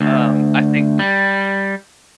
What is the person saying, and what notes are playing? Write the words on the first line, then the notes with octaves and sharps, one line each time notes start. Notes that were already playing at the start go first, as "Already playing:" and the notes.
um, I think
D2
G3